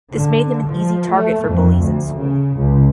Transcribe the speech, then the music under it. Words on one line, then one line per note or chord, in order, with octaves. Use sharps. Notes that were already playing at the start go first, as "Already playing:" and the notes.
This made him an easy target for bullies in school.
D3
F3
A3
F2
D2
C#3
C#2